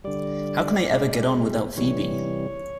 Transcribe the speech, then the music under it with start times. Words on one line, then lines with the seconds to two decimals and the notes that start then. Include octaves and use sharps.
How can I ever get on without Phebe?
0.04 D3 G3 D5
0.91 B2 G#3
1.77 C3 E3 G3 C#5